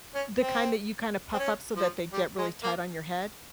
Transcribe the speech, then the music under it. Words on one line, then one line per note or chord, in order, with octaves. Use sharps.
The kind that you kinda puff up, so that they get really tight on your head?
C#4
C4
C4
C#4
F3
G3
G#3
A#3